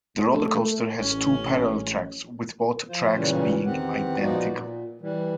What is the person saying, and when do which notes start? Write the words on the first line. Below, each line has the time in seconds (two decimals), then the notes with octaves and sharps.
The roller coaster has two parallel tracks, with both tracks being identical.
0.23 A3
0.99 A1 C#4
2.89 F3 F4 C5
3.15 A#2 C#3 E3 G3 C#4
3.66 E2 D#3 C4 G4 F#5
4.18 A#2 F3 B3 D#4 F#4 D5
4.53 A#2
5.02 E3 G3